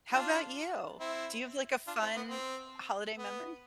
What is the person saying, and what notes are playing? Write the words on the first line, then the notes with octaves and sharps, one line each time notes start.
How about you? Do you have like a fun holiday memory?
D4 F4
C4 E4
D4 F4
C4 E4
B3
C4
B3